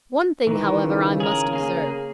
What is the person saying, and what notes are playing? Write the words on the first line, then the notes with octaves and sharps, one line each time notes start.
One thing, however, I must observe.
D#3 E3
C#3
G#4 A#4
A#3 G#4